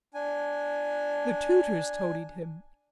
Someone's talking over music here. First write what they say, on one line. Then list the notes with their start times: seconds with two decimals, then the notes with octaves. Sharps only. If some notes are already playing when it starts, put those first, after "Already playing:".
The tutors toadied him.
0.14 D4 G#5